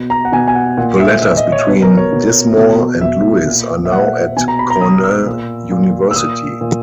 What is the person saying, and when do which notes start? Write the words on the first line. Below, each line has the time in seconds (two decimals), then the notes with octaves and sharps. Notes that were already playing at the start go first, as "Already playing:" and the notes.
The letters between Dismorr and Lewis are now at Cornell University.
Already playing: B2
0.10 A#5
0.25 F#5
0.32 B2 G#5
0.48 G#5
0.55 F#5
0.77 A#2 F#5
1.00 E5
1.22 A#2 E5
1.37 D#5
1.52 C#5
1.67 B2 B4
1.82 A#4
1.97 C#5
2.13 B2
2.57 B2
3.01 B2 E5
3.47 A#2
3.85 E5
3.92 A#2 F#5
4.37 B2 G#5
4.48 A#5
4.59 B5
4.70 A#5
4.81 B2 D#6
5.04 E6
5.26 A#2
5.71 A#2
6.11 E6
6.16 A#2 D#6
6.61 A#2